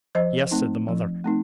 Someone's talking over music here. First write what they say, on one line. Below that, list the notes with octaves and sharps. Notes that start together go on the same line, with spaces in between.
"Yes," said the mother.
F3 C5 D#5
A3 C4 D#4
F3
A3 C4 D#4